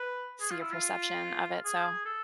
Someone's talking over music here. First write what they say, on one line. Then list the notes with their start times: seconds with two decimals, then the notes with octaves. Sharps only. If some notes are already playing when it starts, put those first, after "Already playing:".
see your perception of it, so I
Already playing: B4
0.40 G#4
0.51 F4
0.61 E4
0.72 F4
1.64 G#4
2.05 A4